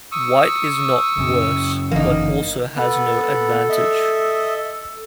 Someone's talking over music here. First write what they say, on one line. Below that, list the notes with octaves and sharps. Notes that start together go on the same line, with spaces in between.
White is not worse, but also has no advantage.
C#6 D#6 E6
F#2 C#3
G1 D3 E3 A#3 D#4
B3 A4
D#5 E5